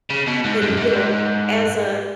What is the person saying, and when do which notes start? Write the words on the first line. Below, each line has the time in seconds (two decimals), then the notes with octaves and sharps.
and, you know, as, uh,
0.10 C#3
0.28 B2
0.45 G#2
0.62 G#2
0.69 F#2
0.77 G#2